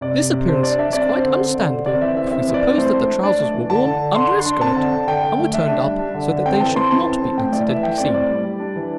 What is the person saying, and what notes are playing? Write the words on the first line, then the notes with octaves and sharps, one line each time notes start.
This appearance is quite understandable if we suppose that the trousers were worn under a skirt and were turned up so that they should not be accidentally seen.
C3 D5
C3
C3
D4 C5
D4 D5
D4 E5
C4 D5
C4
C5
D3
C4
D3
D3
C4 D5
E3 E5
C4 E5
C4 E5
E3
D5
C4
A3 C5
A3
D4
D4 D5
A3
E3
D3 A5
D3
D3
D3 C6
D4
C6
D4
C4 A5
D3
D3
D3 G5
D3
A3
D4 E5
D4
G3
D4
D3
D3
C4 G5
E3 A5
C4 C6
E3 A5
C4
C4
A2 G5
A3 D5
E3 E5
A3 G5
C4 D5
A2 D5
G3
G3
D4
E3